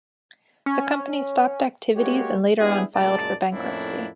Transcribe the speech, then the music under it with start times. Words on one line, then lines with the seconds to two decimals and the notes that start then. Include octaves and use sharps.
The company stopped activities and later on filed for bankruptcy.
0.66 C#4
1.96 G#3 A#3 F#4 G4 C#5
2.59 B3 D4 E4 G4 G#4
2.94 F#1 F#2 A#2 G#3 D5 A5
3.52 F2 A2 A#3 C#4 D4 E4